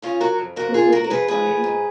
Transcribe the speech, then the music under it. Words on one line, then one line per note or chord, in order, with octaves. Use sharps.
Who were they spying?
C#3 C#4 F4
F#3 F#4 A#4
F2
F2 F#4 A#4
C#3 F4 G#4
F#3 F#4 A#4
A#4
F2 G#4 B4
F2 G#4 B4
F3
G#2